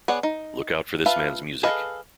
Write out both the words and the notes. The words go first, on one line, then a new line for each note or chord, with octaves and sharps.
Look out for this man's music'.
B3 G#4 C#5 D5 F#5
D#4
F4 B4 E5 F5 A5
G#4 A4 B4 D#5 F5